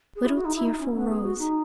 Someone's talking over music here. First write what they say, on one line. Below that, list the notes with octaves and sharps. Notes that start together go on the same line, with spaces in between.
Little tearful rose!
G#4
E4
F#4
D#4
E4
D#4
C#4
B3
G#4
F#4
D#4